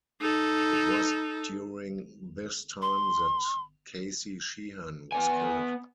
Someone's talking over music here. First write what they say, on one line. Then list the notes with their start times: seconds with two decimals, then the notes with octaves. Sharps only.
It was during this time that Casey Sheehan was killed.
0.21 D#4 A4
2.82 C6
5.12 B3 G#5